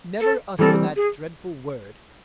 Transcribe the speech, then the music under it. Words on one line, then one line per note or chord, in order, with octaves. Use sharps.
"Never utter that dreadful word."
A4
E3 G3 C4 A4
G#4